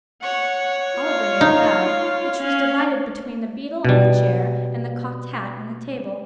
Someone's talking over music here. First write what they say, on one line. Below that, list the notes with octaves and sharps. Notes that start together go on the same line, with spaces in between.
Oliver made a bow, which was divided between the beadle on the chair, and the cocked hat on the table.
C#5 F#5 C#6
F4 F5
D#4
C#4 F5
B2 G3